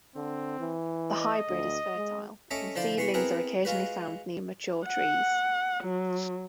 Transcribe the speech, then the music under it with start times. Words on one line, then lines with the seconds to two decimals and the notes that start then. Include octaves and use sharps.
The hybrid is fertile, and seedlings are occasionally found near mature trees.
0.16 D3 C4
0.59 E3
1.11 D#5
1.49 D2
1.96 G#3
2.51 A3 C#4 D#5 E5 D6
2.75 D3 F3 E4 C5 D5
2.97 E3 B3 C6 C#6
3.14 B3 C4 E4 G#4 A#4 B4
3.65 G#3 F4 F#4 B4
4.86 F#5
5.83 F#3